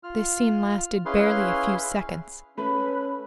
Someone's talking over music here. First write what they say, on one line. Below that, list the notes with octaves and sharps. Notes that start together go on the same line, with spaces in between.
This scene lasted barely a few seconds.
F4 F6
C#4 E4 G#4 B4 F5 C6
A3 C#4 B4 B5